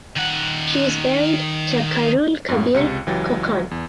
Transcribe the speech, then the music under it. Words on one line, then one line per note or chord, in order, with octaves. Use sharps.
She is married to Khairul Kabir Khokon.
D#3 F#5
F#2 A2
C#2 C3 C#7
C#2 E3 F#3 G4 A6
E2